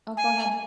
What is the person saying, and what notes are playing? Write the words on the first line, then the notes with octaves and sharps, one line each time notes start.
Oh, go ahead.
G#5